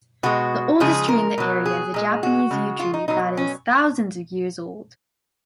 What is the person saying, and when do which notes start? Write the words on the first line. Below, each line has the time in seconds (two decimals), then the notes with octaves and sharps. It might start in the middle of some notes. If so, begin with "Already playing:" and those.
The oldest tree in the area is a Japanese yew tree that is thousands of years old.
0.23 B2 G#3 F#4
0.80 C#3 F3 G#3 G#4
1.09 A#4
1.38 B2 F#3
1.66 G#4
1.94 A#2 G#3
2.23 F#4
2.51 C#3 G#3
2.80 F4
2.94 D#4
3.08 B2 F#3 D#4
3.37 C#4